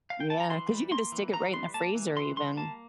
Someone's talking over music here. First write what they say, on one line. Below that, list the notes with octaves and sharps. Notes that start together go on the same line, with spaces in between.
Yeah. ‘Cause you can just stick it right in the freezer even.
F5
G5
A5
A#5
E3 C6
G3
A#3 C6
E3
E3 A#5
G3 C6
A#3 A5
E3
E3 C6
G3 C6
A#3 A5